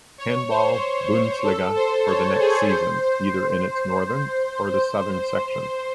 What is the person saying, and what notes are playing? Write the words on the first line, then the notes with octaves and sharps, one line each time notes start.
Handball-Bundesliga for the next season, either in its northern or the southern section.
C#5
C5
A4
C5
C#5
G#4
C5
C5